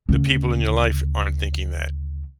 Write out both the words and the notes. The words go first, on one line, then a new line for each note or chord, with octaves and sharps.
the people in your life aren't thinking that.
D2 C#3